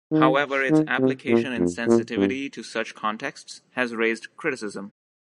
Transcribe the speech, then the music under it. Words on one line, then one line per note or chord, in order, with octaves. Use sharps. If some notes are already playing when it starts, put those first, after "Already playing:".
However, its application insensitivity to such contexts has raised criticism.
D#3
D#3
C3
A#2
F2
A#2
G2